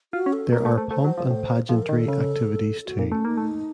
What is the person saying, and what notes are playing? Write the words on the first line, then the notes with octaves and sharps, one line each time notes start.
There are pomp and pageantry activities too.
F4 F#4
C#4
A4
A#3 A#4
A3
C5
A3
A3 C5
F#3
F3
A2
F3 A4
A#4
D#3
A4
C#3
F#4
A#2 D#4
A3 C#4
A#3 D#4
A3